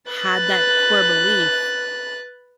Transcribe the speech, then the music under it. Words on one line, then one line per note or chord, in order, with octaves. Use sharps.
had that core belief,
B4 F#6 A6